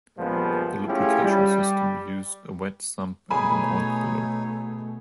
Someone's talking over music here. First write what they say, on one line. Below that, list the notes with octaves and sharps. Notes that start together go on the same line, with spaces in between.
The lubrication system used a wet sump and an oil cooler.
C#2 G2 A#2 F3 G#3 B3
A3 C#4 E4 F4 G4 G#4
G3
B2 A3 D#4 G#4 C#5 G#5 B5